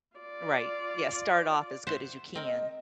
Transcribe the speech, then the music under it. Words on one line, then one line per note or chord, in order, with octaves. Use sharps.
Right. Yeah, start off as good as you can.
F4 D5
C5 E5 F#5
C4 A#4 D#5